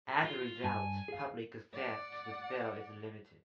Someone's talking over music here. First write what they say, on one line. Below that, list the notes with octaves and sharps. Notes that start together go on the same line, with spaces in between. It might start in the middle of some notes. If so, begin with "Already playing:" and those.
As a result, public access to the fell is limited.
F4 C6
G2 G#5 A5
G#4 F5
D5 F#5